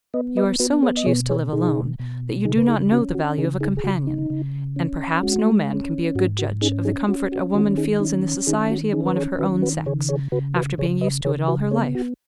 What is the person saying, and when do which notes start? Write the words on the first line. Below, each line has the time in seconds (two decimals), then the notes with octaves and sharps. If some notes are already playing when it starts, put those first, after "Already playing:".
You are so much used to live alone, that you do not know the value of a companion; and, perhaps no man can be a good judge of the comfort a woman feels in the society of one of her own sex, after being used to it all her life.
0.14 B3 B4 D#5
0.37 B4 D#5
0.60 B3 F#4 B4
0.82 G#4 C#5
0.97 D#5
1.06 B2 G#4 C#5
1.29 G#4 C#5
1.53 B2 D#4 G#4
1.99 B2
2.45 C#3 D#4 G#4
2.58 B4
2.68 D#4 G#4
2.91 C#4 F#4
3.15 F#4
3.38 C#3 D#4 G#4
3.60 D#4 G#4
3.77 G#4
3.84 C#3 F#4
4.07 D#4
4.30 C#3
4.76 C#4
5.23 G#3 F#4
5.70 C#4
6.15 G#2 F#4
6.39 F#4
6.61 C#4 D#4 G#4
6.85 D#4 G#4
7.08 C#4 F#4
7.32 F#4
7.54 D#3 F#4
7.77 D#4 G#4
8.00 C#4 D#4
8.47 D#3 D#4 G#4
8.71 F#4
8.93 C#4 D#4 G#4
9.06 B4
9.16 G#4 C#5
9.39 D#3 F#4 B4
9.62 F#4 B4
9.86 C#3 G#4 C#5
10.09 G#4 C#5
10.32 C#3 F#4 B4
10.56 F#4 B4
10.78 C#3 G#4 C#5
11.01 B4 D#5
11.25 C#3 G#4 C#5
11.48 F#4 B4
11.71 B3 G#4 C#5
11.95 F#4